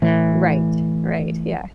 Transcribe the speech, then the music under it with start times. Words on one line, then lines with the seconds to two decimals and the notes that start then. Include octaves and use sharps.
Right, right, yeah.
0.02 A2 E3